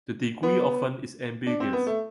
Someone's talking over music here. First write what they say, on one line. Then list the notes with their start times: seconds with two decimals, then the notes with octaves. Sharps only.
The degree of fun is ambiguous.
0.43 B3
1.47 D4
1.60 C4
1.73 B3
1.87 A3